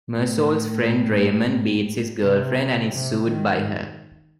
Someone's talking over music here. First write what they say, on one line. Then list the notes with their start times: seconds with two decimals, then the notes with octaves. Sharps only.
Mersault's friend Raymond beats his girlfriend and is sued by her.
0.14 A2
2.22 C3
2.92 C3
3.27 D#3